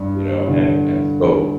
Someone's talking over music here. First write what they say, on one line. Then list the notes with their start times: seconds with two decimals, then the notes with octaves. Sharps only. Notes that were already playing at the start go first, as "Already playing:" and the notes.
You know, and and so
Already playing: G2 D4
0.15 G3
0.48 D3